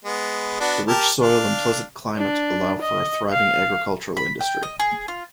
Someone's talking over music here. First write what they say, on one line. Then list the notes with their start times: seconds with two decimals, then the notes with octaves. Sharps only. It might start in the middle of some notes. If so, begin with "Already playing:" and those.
The rich soil and pleasant climate allow for a thriving agricultural industry.
0.04 G#3 B3
0.60 B3 D4 F#4
0.88 G4 A#4 A5
1.20 D4 F5
2.17 D4
2.81 D#5
3.32 F5
4.17 B5
4.41 G5
4.63 D#5
4.79 G#4
5.08 F4